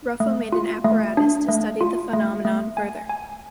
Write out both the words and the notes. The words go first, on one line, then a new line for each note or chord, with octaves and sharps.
Ruffo made an apparatus to study the phenomenon further.
A3
F4
A3
D4
A3
F4
A3
A3
G#5
G#5